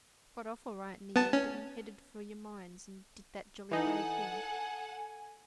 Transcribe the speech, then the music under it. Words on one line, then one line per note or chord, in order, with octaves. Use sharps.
'Got off all right in the end, and headed for your mines and did that jolly brave thing.
B3 A5
C#4
E3 D#4 A4 F#5 G#5